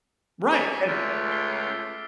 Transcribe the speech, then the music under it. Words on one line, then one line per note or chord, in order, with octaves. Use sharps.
Right, and
G#5 D6 A6 B6
C#2 A3 E6 F6 D7
B6 C7 G7